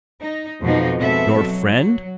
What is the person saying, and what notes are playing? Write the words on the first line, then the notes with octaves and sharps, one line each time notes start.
"Your friend?"
D#4
F2 B2 F3 D#4
B2 G#3 C4 A4 E5
F#3
F#3